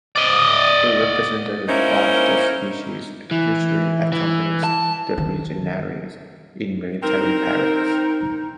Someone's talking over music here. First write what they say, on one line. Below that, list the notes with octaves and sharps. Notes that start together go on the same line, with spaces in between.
A representative of the species usually accompanies the legionaries in military parades.
D5 D#5
A#3 C#4 D#4 E4 A#4 C5
E3
E3
A5
D#3
C4 D#4 A#4